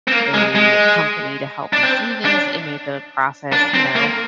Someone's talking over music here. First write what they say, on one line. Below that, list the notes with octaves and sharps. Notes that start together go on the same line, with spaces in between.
a company to help me through this, it made the process, you know,
C4
A#3
G#3
G#3
D4
C4
D4
D4
C4
A#3